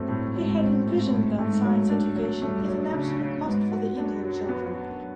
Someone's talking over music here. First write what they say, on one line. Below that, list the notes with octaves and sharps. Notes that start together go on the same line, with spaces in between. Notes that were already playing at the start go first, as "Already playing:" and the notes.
He had envisioned that science education is an absolute must for the Indian children.
Already playing: G2 F#3 A3 C4
A2
G#2 F#3
C4
G#2 A3
A2
G#2 A3
F#3
D4
F#3
G2 A3
F#3
C#3 D4
F#3
G#2 B3
F#4
F#2 D4
F#3
B3
F#4